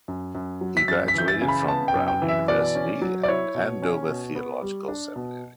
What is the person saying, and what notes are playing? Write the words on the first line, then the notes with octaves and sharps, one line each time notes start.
He graduated from Brown University and Andover Theological Seminary.
F#2
F#2
F#3
B6
F#2 A6
B6
E3 G6
A6
C#3
B5
B3 A5
G5
F#2
G5
E3
E5
B2 D5
C#4
F#3
D5
E4 C#5
B2
C#4
B2
B3
G3
D4
B2